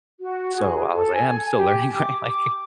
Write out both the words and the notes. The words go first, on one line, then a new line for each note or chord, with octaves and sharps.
so I was like, "I'm still learning, right?" Like
F#4
G#4
A4
G#5
G4
D6
D6